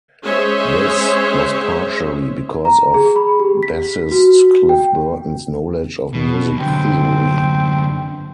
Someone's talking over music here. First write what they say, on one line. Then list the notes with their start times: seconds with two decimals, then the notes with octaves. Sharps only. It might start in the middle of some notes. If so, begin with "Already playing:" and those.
This was partially because of bassist Cliff Burton's knowledge of music theory.
0.23 G#3 C#4 G#4 C5 C#5 E5
2.65 A#5
2.94 G#4
3.16 B5
3.40 G4
3.63 B6
4.11 F#4
4.69 G5
6.13 B2
6.57 F#2 D3 C4